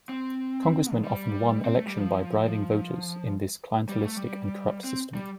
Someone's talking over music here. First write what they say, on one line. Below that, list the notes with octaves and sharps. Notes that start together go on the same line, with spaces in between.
Congressmen often won election by bribing voters in this clientelistic and corrupt system.
C4
F3
G3
C4
A3
G3
F3
F3
G3
A3
G3
C4
G3